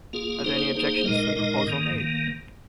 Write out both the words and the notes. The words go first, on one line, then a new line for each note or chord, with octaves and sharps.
Are there any objections to the proposal made?
A#3 F4 G#4
A#3 D#4 G#4 C5
A#3 D#4 G#4 C5
A#2 G#3 D#4 A#4 D#5
A#2 G#3 D#4 A#4 D#5
G#2 D#3 A#3
D#3 A#3